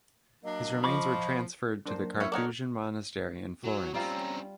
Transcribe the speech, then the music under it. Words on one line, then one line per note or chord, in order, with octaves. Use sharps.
His remains were transferred to the Carthusian monastery in Florence.
F#3 A#3 D4 D#5
F3 D#5 B5 C#6 D6
F#3 A#3 D4 A#4 C5
C#4 E4 C#5
D4 D#4 A4 A#4 C#5 F#5 A#5
F#3
G3 C4 C#4 F4 A#5